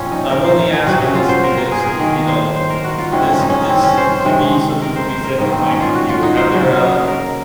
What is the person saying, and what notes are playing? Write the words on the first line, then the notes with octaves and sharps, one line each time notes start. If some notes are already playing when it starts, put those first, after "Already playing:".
I'm only asking this because, y you know, uh, this this can be something to be said for my nephew. Have there, uh
Already playing: A#2 F3 C4 C#4
D#4
A#4
C5
A#4
G#4
C3 F#3 A#3 F#4
C#4
F4
C5
A#4
C5
G#4
A#4
G#4
D#3 A#3 A#4
C5
C5
A#4
F#4
F4
C3 D#3 G#3 C4 C#4
C#4
D#4
C#4
C4
C#4
C5
C5
C3 D#3 G#3
A#4
C5
C5
A#4
G#2 D#3 A#3 D#4
C4
C#4
F4
F#4
F4
D#4
C5
C#3 F#3 A#3
A#4